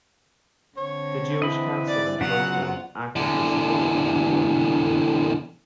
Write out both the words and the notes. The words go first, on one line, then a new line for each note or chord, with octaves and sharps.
The Jewish council in Kovno actively supported the ghetto underground.
D3 C4 C#5
E3 D#5 B5
D5
C#3 F#3 B3 F5 F#5
F4 C5
E2 D3